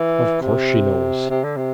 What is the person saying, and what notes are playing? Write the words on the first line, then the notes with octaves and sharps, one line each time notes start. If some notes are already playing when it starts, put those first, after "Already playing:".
'Of course she knows.
Already playing: E3
C3
C3
D3
C3